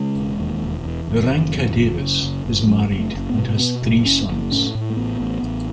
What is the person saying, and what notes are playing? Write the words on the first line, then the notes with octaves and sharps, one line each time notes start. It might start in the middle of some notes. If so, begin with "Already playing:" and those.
Irranca-Davies is married and has three sons.
Already playing: C#3 G#3
E1
D#2
E1
E2
F#1
F#1
E2
F#1
C#3
F#1
F#1
F#1 F#3
F#1
A3
F#1
B3
B2
B2 B3
F#1
F#1 C#4
F#1
A2 C#4
A2
A3
A1 B3
A1
A1